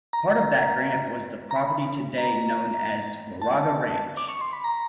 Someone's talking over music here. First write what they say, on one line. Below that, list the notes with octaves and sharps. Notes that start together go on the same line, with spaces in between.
Part of that grant was the property today known as Moraga Ranch.
A#5
A#5
B5
A#5
A5
D6
C#6
C6
B5
A#5